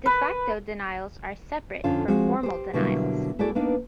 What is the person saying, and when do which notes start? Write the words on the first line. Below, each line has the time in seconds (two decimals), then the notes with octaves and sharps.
De facto denials are separate from formal denials.
0.06 B4
1.84 F2 D3 C#4 F4 A5
2.08 F3 G#3 C4 F#4
2.43 G4 C5
2.73 B2 D3 F#3 G3 A#3 E4
3.39 A3 E4 F#4 G#4 D5
3.55 A#3 B3 D4 D#4